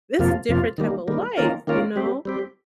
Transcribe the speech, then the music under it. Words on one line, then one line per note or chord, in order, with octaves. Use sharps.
this is different type of life, you know."
F2 C3 F3 A#3 F4
F2 C3 F3 A#3 F4
D#3 G3 A#3
D#3 G3 A#3
D#3 A#3 C#4 F4 A#4
D#3 A#3 C#4 F4 A#4
G3 C4 G4
G3 C4 G4